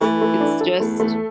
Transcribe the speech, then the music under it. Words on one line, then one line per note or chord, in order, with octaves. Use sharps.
it's just,
E3 A3
A3
D4
A4
E2 A3
E2 A3